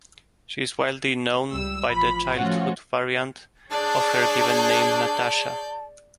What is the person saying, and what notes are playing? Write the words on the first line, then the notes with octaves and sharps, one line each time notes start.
She is widely known by the childhood variant of her given name, "Natasha".
C#2 G3 E6
A1 F3 B5
F3 A3 C#4 F4 F#4
D4 G#4 C#5 D5 A5 G6